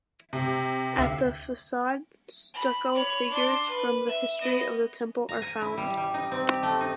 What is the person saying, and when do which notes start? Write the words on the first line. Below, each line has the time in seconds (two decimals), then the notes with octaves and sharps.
At the facade stucco figures from the history of the temple are found.
0.33 C3
0.98 D2 E5 C7
2.54 B5
2.93 C#5 B5
3.31 D4 C6
3.66 B4
4.08 E5
4.41 B3 D#5
5.29 A#5
5.42 G#5
5.62 E4
5.77 G3
5.97 G3
6.14 D#4
6.31 C4
6.49 G4
6.63 A3
6.81 D#4